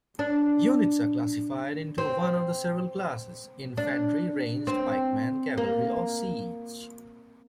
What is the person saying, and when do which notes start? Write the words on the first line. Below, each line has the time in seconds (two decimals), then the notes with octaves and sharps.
Units are classified into one of several classes: infantry, ranged, pikemen, cavalry, or siege.
0.19 D4
1.98 C4
3.77 D4
4.67 C4
5.58 A#3